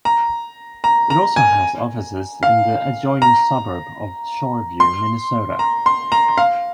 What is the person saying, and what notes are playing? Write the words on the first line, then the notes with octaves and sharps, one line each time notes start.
It also has offices in the adjoining suburb of Shoreview, Minnesota.
A#5
A#5
A#5
G#5
F5
A#5
C6
A#5
C6
A#5
F5